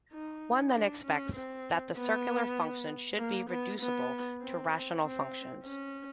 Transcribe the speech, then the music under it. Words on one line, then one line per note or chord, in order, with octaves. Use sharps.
One then expects that the "circular functions" should be reducible to rational functions.
D#4
D4
C#4
C4
B3
A#3
B3
B3
C4
C4
C#4